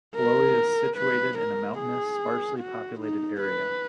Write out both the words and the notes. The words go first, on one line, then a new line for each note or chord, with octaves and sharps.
Foloi is situated in a mountainous, sparsely populated area.
A#4
B4
A#4
G#4
F#4
D#4
B4